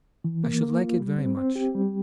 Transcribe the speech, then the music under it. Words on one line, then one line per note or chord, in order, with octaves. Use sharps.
'I should like it very much.
E3
A#3
A#3
F4
G3
C4
C4
G4
G3